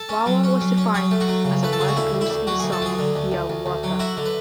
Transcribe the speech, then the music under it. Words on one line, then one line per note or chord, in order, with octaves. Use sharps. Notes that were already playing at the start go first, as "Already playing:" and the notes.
Wawa was defined as wild goose in The Song of Hiawatha.
Already playing: A4
C#4
F#3
C#4
F#3
C#4
F#3 G#4
A3
F#4
F#3
C#3
A3 B4
A4
C#3 G#4
F#4
D2 E4
D2
E4
D2
F#3 F#4
G#4
D2
A4
F#3 G#4
D3
D2
D2
D2
D2
F#3
E4 F#4
D3
B4